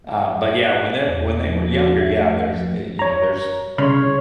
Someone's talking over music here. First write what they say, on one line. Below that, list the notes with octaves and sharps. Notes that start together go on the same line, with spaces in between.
uh but yeah, when they're when they were younger, yeah, there's, eh you know, there's
F#6
E2
A3
F3
F#4
E5
A3
F3
C#5 A#5
C2 C#3 C#5 B5 C6 F6